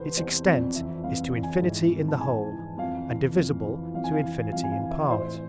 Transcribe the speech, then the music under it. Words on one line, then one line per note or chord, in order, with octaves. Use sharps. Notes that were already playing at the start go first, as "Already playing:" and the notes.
It's Extent is to Infinity, in the Whole; and divisible to Infinity in part.
Already playing: E2 C3 E3 A4 B4 C5
E2 C5
F2 D5
E3 E5
F2 F5
E3
G#5
G#2
E3
A5
G#2 G#5
E3
F2 F5
E3
F2
E3
F2 F5
G#5
F5
E3
F2 F5
G#5
F5
E3
E5
A2 C5